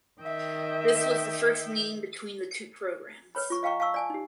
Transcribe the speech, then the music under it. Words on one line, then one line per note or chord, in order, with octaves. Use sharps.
This was the first meeting between the two programs.
D#3 D#5 E5 G5
B4 C#5 B5
F4 C#6
D#5 F5 G5 A#5 C#6
F5 A5 C#6 E6
D5 G#5 A5
D#4 G4